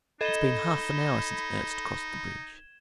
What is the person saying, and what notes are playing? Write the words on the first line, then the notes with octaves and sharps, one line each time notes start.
"It's been half an hour since Ernst crossed the bridge."
D#4 A4 D#5 B5 G#6 E7 G7